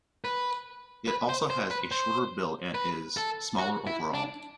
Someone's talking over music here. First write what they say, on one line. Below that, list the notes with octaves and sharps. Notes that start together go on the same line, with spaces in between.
It also has a shorter bill and is smaller overall.
B4
B4
C5
C5
B4
C5
B4
A4
F#4
E4
D4